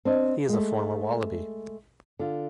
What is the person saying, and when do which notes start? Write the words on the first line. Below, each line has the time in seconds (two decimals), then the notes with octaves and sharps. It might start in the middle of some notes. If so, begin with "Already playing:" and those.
He is a former Wallaby.
0.05 C4 D4 D#5
0.49 G#3 A3
2.19 D3 F4